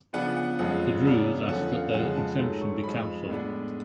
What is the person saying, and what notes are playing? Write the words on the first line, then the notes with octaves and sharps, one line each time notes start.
The Druze asked that their exemption be canceled.
C#3 F3 B3 D4 F#5
F#5
F2 F3 G#3 C#4 F#5
C#3 F#3 B3 D4
F2 D3 F3 A3 C#4 F#5
F5
F2 C#3 F3 G#3 F#5
A5
G#2 F#3 A3
C#6
F2 F3 G#3 B5
A2 G#3 B3 D4